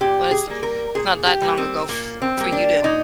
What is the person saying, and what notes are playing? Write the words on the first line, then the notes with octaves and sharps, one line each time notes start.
Well, it's it's not that long ago f for you then.
A#2 G4
G#4
G3 A#3
A#4
A#2 G#4
G4
G3 A#3
C4
A#2 A#3
C4
G3 A#3
D4
A#2 D#4